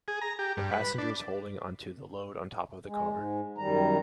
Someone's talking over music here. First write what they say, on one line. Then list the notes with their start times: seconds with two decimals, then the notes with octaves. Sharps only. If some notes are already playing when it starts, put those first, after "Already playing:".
The passenger is holding onto the load on top of the car.
0.08 G#4
0.21 A#5
0.39 G4
0.57 G2
0.71 B4
0.98 D4
2.86 G#3
3.12 G#2
3.58 F#2 D#3 G3 A#5